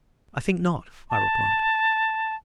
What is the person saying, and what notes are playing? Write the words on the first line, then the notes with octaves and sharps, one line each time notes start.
"I think not," I replied.
A5